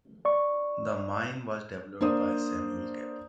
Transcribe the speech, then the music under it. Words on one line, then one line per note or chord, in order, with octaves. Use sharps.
The mine was developed by Samuel Gebo.
D5 C#6
A#3 D4 C5 D#6